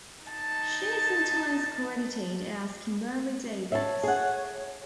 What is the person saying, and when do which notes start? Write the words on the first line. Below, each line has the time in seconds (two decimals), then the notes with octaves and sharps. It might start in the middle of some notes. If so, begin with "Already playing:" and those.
She is sometimes credited as "Kimberly Davies".
0.24 D#4 A5
3.72 C#5 E5 A5
4.03 G#4 F#5